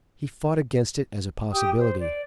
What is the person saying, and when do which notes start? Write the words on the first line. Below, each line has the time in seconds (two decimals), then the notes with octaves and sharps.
He fought against it as a possibility.
1.53 G4 G5 D#6
1.79 C5
1.99 D5